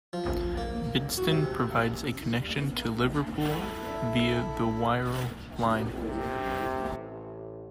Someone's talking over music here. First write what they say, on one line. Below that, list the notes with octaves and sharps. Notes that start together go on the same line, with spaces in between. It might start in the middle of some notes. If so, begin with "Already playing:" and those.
Bidston provides a connection to Liverpool via the Wirral Line.
F3
A#3
F#4
C3
E4 A4 E5
F1
C3
A1